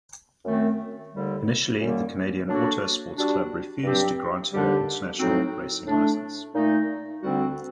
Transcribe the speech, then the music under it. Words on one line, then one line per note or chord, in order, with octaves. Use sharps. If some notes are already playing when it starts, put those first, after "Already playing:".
Initially the Canadian Auto Sports Club refused to grant her an international racing license.
F#2 D#3 A3 C4
D#2 D3 G3
F#2 D#3 G3 A#3
F#3 A#3 D4 F#4 A4
G3 D4 F#4
G2 F#3 C4 G4
D#2 D3 G3 D4 G4
A2 F#3 C4 D#4 F#4
A2 A3 D4
A#2 A3 D#4
D2 D3 G3 C4 F#4